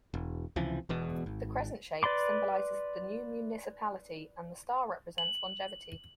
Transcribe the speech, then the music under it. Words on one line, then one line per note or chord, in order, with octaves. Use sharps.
The crescent shape symbolizes the new municipality, and the star represents longevity.
E1
C#2 C3 E3 F3
E1 E2 B2
G#1
B4 D5 B5 C6 D6
F#7